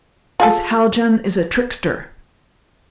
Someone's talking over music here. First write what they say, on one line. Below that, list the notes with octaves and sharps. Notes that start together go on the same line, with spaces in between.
This Haljan is a trickster!
F4 G#4 A4